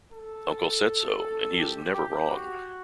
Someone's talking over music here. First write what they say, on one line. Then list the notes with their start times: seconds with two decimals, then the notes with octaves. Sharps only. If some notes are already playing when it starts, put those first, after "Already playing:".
Uncle said so, and he is never wrong.
0.12 A4
1.58 G4
1.94 G4
2.31 F#4